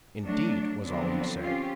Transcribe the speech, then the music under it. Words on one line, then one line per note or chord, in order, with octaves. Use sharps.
"Indeed!" was all he said.
F#3 A3 D4
D3 F3 F#3 B3 C4 D4
C4 C#4 F4 G4